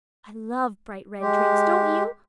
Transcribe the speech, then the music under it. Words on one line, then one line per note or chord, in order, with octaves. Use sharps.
I love bright red drinks, don't you?
G#3 G4